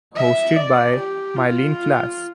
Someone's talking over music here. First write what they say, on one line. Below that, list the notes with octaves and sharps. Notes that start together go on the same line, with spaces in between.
Hosted by Myleene Klass.
E5
D5
G4
F4